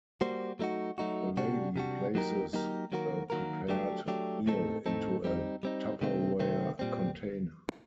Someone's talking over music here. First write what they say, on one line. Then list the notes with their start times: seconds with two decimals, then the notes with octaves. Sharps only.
The lady places the prepared meal into a tupperware container.
0.21 G3 A#3 F#4 C5
0.59 F#3 A3 D#4 F#4
0.98 F#3 A3 D#4 F#4
1.37 C3 G3 D4 F#4
1.76 C3 G3 D4 F#4
2.15 F#3 A#3 D#4 G4 A#4
2.53 F#3 A#3 D#4 G4 A#4
2.92 D#3 F#3 A#3 F#4 A#4
3.30 D#3 F#3 A#3 F#4 A#4
3.69 F#3 A3 D4 G4
4.08 F#3 A3 D4 G4
4.46 A2 A3 C4 D#4 A4
4.86 A2 A3 C4 D#4 A4
5.24 G3 C4 D#4
5.63 G3 C4 D#4
6.01 C3 D#3 A3 C4
6.39 C3 D#3 A3 C4
6.79 A#2 G3 C4